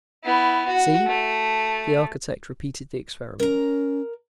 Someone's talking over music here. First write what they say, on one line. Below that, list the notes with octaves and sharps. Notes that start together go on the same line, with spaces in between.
"See?" The architect repeated the experiment.
B3 E4
F#4
A3
C#4 A#4 A#5